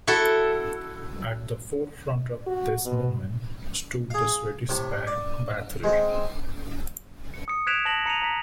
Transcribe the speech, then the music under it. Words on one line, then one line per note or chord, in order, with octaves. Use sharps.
At the forefront of this movement stood the Swedish band Bathory.
E4 F#4 A4
F#4
B2
G#4 F5
A2 C3
D5
G#3 C4
C#7
D#6 C#7
F#6 G#6 B6 D7 E7 F7
A5 G#6 A#6 B6 E7 F#7
A#5 C#7 D#7 F7
A#5 B6